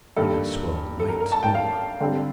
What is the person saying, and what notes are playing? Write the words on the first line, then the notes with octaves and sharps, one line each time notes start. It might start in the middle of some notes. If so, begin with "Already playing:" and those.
From it swelled light smoke.
G2 D#3 A#3 A4
A4
A#4
A#4
A5
G5
F5
D3 G3 C4